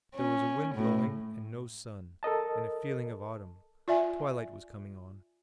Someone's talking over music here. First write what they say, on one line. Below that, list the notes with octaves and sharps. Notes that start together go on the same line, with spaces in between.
There was a wind blowing and no sun, and a feeling of autumn; twilight was coming on.
C#4
A2
A4 A#4 D#5 A5
F4 D5 E5 G#5